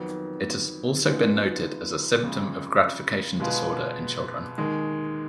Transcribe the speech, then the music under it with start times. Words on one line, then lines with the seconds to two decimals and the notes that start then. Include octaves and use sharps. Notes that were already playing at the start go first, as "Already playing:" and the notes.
It has also been noted as a symptom of gratification disorder in children.
Already playing: F2 D#3 F#3 B3
1.05 F#2 F3 G#3 B3 D#4
2.23 F2 C#3 G#3
3.40 B2 G#3 B3 F4 B4
4.58 D#2 D#3 G#3